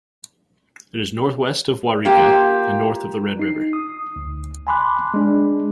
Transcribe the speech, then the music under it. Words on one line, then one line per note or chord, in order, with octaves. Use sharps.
It is northwest of Waurika and north of the Red River.
A#3 F4 G4
D#4 C7
D#6
D2
G#5 A5 B5 C6 D6 F#6
G#3 D4